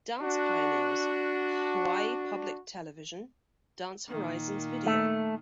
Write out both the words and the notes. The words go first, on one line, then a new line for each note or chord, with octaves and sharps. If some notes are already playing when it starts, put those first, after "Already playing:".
Dance Pioneers; Hawaii Public Television; Dance Horizons Video.
D4 F#4
A#2 D#3 A#3
A3